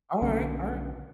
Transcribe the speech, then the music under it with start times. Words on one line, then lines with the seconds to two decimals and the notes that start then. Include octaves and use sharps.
Alright, alright.
0.22 B1 D3 C#4